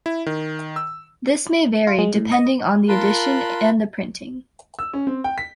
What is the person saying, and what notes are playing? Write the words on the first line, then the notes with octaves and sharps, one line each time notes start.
This may vary, depending on the edition and the printing.
E4
D#3
E6
F4
G#3
A2
D#5
F4 A#4 A5 B5 C6 F#6
E6
C#4
C4
G5
B6